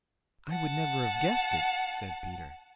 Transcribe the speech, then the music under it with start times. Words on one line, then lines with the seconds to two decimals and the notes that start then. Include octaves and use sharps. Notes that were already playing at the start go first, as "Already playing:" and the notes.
"I would never have guessed it," said Peter.
0.50 F#5 A5